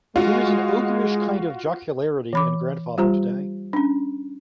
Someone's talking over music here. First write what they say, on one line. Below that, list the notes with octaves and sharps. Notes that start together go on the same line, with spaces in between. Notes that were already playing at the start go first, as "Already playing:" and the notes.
There is an ogreish kind of jocularity in Grandfather today.
G#3 F4 F#4
E3 B5 D6
G3 F4 G4 C5 A#5
C#4 D4